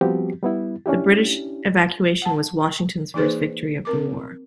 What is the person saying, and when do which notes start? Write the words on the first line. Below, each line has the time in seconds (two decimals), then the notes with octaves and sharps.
The British evacuation was Washington's first victory of the war.
0.01 F3 G3 B3 C4 F#4 G4
0.42 G3 B3 E4
0.86 C#4 D4 E4 G4
2.22 F#5 A5
3.14 E3 A#3 D#4 G#4 B4 C5
3.85 C4 A#4 D6